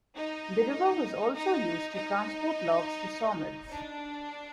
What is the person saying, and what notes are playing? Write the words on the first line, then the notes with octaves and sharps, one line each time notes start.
The river was also used to transport logs to sawmills.
D#4
D#4
D#4
D4